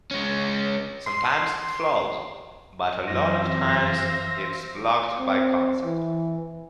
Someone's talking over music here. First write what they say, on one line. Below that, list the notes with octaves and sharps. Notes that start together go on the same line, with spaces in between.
Sometimes it flows, but a lot of times it's blocked by concept.
G#3 C#4
C6
F#2 E3 C4 C5 E5 F5 C6 A#6
C4
E3